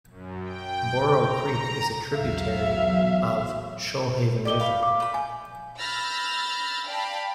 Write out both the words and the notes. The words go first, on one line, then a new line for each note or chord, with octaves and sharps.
Boro Creek is a tributary of the Shoalhaven River.
F#2
G5
A#5
B1 E2 F#3 E5 F5
D#4 E4 G4 D5 D6 G7
F5 B5
D6
A3 B5
G#5 G6
B5 E6 F6 G6 A6 A#6
D5 F5 G5 A5 B5